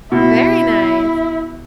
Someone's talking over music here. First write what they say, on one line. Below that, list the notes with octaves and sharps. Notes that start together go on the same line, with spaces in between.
Very nice.
B2 E4